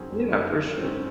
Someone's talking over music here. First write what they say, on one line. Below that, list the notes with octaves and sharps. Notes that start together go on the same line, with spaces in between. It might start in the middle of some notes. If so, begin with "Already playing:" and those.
Yeah, for sure.
Already playing: F#2 D#3 F#3 C4 C#4 G#4
F#2
F#2
D#3
F#3
C4
G#2 C#4